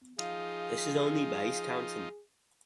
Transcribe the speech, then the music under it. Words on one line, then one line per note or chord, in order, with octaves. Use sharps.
This is only base counting.
F3 D#4 G#4 F5